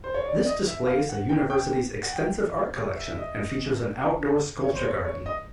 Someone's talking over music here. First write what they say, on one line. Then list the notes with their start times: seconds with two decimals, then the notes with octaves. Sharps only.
This displays the University's extensive art collection, and features an outdoor sculpture garden.
0.04 C5
0.14 C#5
0.26 D5
0.38 D5
0.46 D#5
0.67 E5
0.87 F5
1.09 F#5
1.29 G5
1.50 G5
2.03 F#5
2.13 G5
2.97 E5
3.10 E5
3.17 D#5
4.64 C#5
4.75 C5
4.84 C#5
5.05 C#5
5.26 D#5